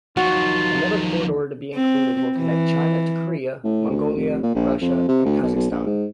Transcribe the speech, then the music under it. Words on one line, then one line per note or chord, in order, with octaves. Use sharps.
Another corridor to be included will connect China to Korea, Mongolia, Russia and Kazakhstan.
D#2 F3 F#3 D#4 F4 F#4
C4
E3
A2
D2
F1
A#2
A#1
F2
C3
D2
B1
B1
A#1
G#2